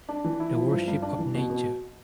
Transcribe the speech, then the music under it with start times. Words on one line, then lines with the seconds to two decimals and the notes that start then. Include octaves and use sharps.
The Worship of Nature.
0.09 D4
0.24 E3
0.40 E4
0.56 F3
0.71 G2
0.88 G2
1.02 D4
1.19 E3
1.35 B2
1.50 B2